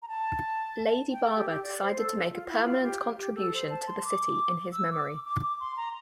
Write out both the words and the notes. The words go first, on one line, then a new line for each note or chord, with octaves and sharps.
Lady Barber decided to make a permanent contribution to the city in his memory.
A#5
A5
G5
A4
G4
G4
D5
C5
A4
F4
E4
G4
F4
G4
G4
A4
C5
A5
C6
D6
E6
D6
D6
D6
D6
C6
A#5